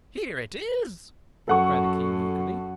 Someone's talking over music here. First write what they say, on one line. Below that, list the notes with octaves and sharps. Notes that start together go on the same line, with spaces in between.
"Here it is," cried the King eagerly.
F#2 A4 F#5 C#6